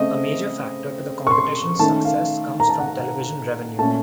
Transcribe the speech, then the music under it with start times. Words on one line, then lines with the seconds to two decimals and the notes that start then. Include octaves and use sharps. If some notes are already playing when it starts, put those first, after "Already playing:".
A major factor to the competition's success comes from television revenue.
Already playing: C#3 A3 C4 D#5
1.27 C#6
1.31 C6
1.79 D#3 A3 C#4 A5
2.05 F5
2.60 A#5
2.70 A5
2.80 F#5
3.78 A#2 A3 C#4 A5